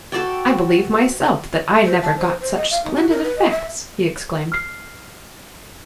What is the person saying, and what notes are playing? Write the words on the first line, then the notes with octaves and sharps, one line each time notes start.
"I believe myself that I never got such splendid effects!" he exclaimed.
F#4 A4 D5 G5
C5
A5
C5
C5
D#5
F5
D#4
F#4
A#4
B4
D#5
E5
F6 C7